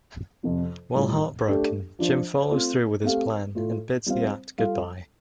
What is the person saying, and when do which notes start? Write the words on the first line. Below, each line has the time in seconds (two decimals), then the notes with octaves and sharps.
While heartbroken, Jim follows through with his plan and bids the act goodbye.
0.43 F2 C3 F3
0.94 A2 G3 F4
1.47 A3 D4 G4
1.99 F3 D4 F4 C5
2.50 A3 C4 F4
3.03 A3 C4 G4 F5
3.55 A2 A3 F4
4.06 G3 C4 F4 C5 F5
4.58 G3 F4 A4 F5